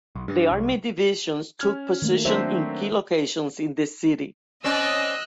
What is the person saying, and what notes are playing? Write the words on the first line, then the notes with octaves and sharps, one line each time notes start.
The army divisions took position in key locations in the city.
B1
G2
C2
C#4 F6 G#6
D#3 A3 A#3
F#3 C4 D4 C5 E5
C4 C#4 D5 D#5 E6 F#6